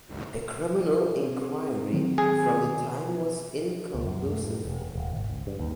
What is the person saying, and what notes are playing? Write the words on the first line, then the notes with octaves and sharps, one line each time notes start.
A criminal inquiry from the time was inconclusive.
C4 G#4
D#3 F#3 C4
G#4
C#2
F#2
A3
A2
E1
D#1
G#1
C#2
G2
D#2